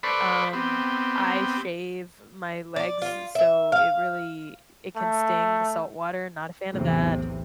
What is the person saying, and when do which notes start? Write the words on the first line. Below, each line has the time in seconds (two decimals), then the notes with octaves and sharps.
Um, I shave my legs so it really i it can sting, the salt water, not a fan of that.
0.03 A4 B4 C5 D5 B5 C#6
0.53 B3 C4 G4
2.76 D5
3.02 F4
3.35 E5
3.72 F5
4.97 A3
6.70 B1 E2 A2 C3